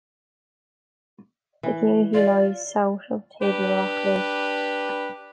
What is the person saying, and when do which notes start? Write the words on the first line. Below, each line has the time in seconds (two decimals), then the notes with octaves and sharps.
The community lies south of Table Rock Lake.
1.63 E3
2.14 F4 D5
3.42 D4 G4 B4